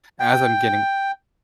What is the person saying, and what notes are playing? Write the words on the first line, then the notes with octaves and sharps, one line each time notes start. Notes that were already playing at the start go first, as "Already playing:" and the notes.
as I'm getting
G5